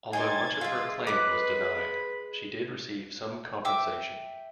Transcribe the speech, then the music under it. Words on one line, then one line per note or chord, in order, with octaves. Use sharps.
Although much of her claim was denied, she did receive some compensation.
D#4 G#4 G5 G#5 C6 G#6 A6
G#3 F4 E5
G#3 B4 B5 D6 F#6
E5 G5 D6 E6